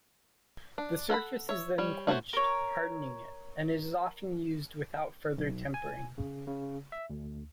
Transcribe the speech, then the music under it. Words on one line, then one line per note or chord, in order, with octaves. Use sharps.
The surface is then quenched, hardening it, and is often used without further tempering.
D4
A4 F#5 G#5 B5
C#5 E5
G3 C#5
A3 F#4 G#4 C5 C#5
A#4 C#5
B1
G#5
C#3
C#3
E5
D2